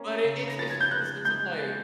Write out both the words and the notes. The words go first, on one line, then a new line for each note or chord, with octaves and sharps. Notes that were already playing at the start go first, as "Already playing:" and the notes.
But it it's it's just in the sense of, like,
Already playing: A#3 C#4
C#3
A#6
F3 A6
G#6
G6
B3 F#6
G#3 G6
A6